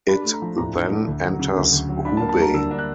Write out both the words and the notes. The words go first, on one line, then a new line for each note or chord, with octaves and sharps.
It then enters Hubei.
D4 B5
A3
A#5
F3
A2 A#5
D4
A3
D2
F#3
C#3
D2
D2
F#3
D4 B5
A5
A#3
A5
G3 A#5
D3 E6
D4
F#6